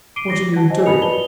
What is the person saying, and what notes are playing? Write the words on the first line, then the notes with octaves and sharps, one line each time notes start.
'What are you doing?
D6 C7 D7 D#7 G7
A#6
F#4 F#5 A5
C5 D#5 G#5 A5
F4 B5 D#6 C#7 F7
F#4 B4 D5 A5 F7 G7